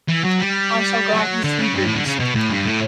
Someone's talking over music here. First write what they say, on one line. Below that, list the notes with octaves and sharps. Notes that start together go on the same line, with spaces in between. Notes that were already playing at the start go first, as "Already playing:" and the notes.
I shall grant you three boons.
E3
F#3
G3
F#3
D3
C#3
G2
A2
D3
C#3
B2
A2
G2
A2